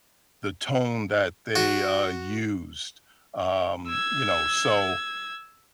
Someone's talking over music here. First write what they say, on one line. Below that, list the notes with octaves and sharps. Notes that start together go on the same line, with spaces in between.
The tone that they, uh, used, um, you know? So,
F#4
E6 G#6